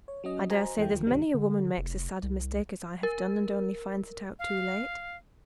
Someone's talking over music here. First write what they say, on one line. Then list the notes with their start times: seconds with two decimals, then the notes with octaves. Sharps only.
'I dare say, there's many a woman makes as sad a mistake as I have done, and only finds it out too late.
0.08 C#5
0.24 F#3 C#4 D#5
0.50 F#4 C5 D#5 G#5 A#5
0.77 E2 E3 A3 G5
0.91 D2 D#3 F3
1.07 C2 G2 D#3 G3
1.34 D3
1.78 F1
2.23 C2
3.03 A#4
4.39 F5